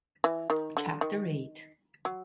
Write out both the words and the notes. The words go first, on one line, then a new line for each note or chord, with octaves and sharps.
Chapter eight.
E3
D#3
D3
D#3
F#3